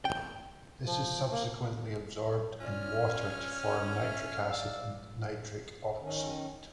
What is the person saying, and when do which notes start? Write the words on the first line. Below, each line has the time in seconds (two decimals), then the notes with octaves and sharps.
This is subsequently absorbed in water to form nitric acid and nitric oxide.
0.05 G5
0.86 F3
1.31 A#3
2.60 C#4 F4 D5 F6
4.02 E5
4.46 D5 F5 E6
6.01 D#3 C#4